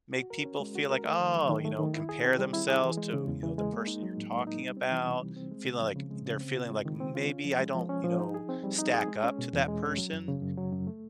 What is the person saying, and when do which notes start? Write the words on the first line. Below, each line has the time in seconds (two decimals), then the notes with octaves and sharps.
make people feel like, "Oh" you know, compare themselves to, you know, the person you're talking about, feeling like they're feeling like maybe I don't, you know, stack up to that person,
0.16 F#4
0.30 A#4
0.45 C#4
0.60 G#3
0.75 F#4
0.90 A#4
1.05 A3
1.20 D#3
1.35 F#3
1.50 D#3
1.65 A3
1.79 D#3
1.94 E4
2.09 G#4
2.24 C4
2.39 G3
2.53 E4
2.68 G#4
2.83 E3
2.98 G#3
3.13 C#3
3.28 E2
3.43 E3
3.58 G#3
3.73 A#3
3.87 D#4
4.03 F#3
4.17 A2
4.32 A#3
4.47 D#4
4.62 G3
4.77 C4
4.92 E3
5.07 C3
5.22 G3
5.36 C4
5.51 G#3
5.66 C#3
5.81 F3
5.96 C#3
6.11 G#3
6.26 C#3
6.40 C4
6.55 F4
6.70 G#3
6.85 D#3
7.00 C4
7.15 F4
7.30 C#4
7.45 F3
7.60 G#3
7.75 F3
7.89 C#4
8.04 F3
8.19 D#4
8.34 G#4
8.49 C4
8.64 G3
8.78 D#4
8.94 G#4
9.08 G#3
9.24 C#4
9.39 B2
9.53 E2
9.68 G#3
9.83 C#4
9.98 F#3
10.13 F#2
10.28 C#3
10.42 F#2
10.57 F#3
10.72 F#2
10.87 A3